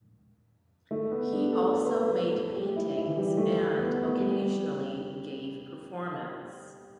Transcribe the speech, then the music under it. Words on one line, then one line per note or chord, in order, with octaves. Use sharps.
He also made paintings and occasionally gave performance.
A3
B3
D4
A4
A4
B4
A4
B4
A4
G4
E4
E4
E3
G3
A3
B3
G3